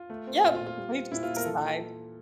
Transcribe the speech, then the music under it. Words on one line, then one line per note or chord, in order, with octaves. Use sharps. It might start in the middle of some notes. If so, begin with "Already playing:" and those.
Yep, they just decide.
Already playing: F4
A3
C4
A#2 F4
F4
A#2
F4
G3
C4
A#2 E4
F4
A#2
A#4
E3 A4
A4